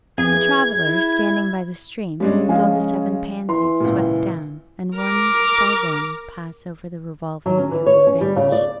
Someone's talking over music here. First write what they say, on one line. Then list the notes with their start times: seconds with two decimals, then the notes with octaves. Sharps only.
The traveller, standing by the stream, saw the seven pansies swept down, and one by one pass over the revolving wheel and vanish.
0.18 F2 E3 G#4 G#6
0.86 E4
2.20 C#3 G3 G#3 D4
2.49 F3 G#3 F5 G#5
3.49 E3 C6
3.80 C#2 A#2
4.97 A#4 D6
7.46 F#3
7.58 C#4
7.71 E3
7.86 C#5
8.07 C#4
8.21 G3
8.36 C#3
8.52 D5